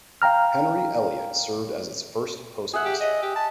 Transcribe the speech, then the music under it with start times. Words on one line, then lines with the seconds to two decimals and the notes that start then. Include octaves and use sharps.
Henry Elliott served as its first Postmaster.
0.22 F5 G5 A#5 F6
2.73 G#4 E5 F#5
2.85 G4
3.01 D#5
3.22 G4
3.36 A5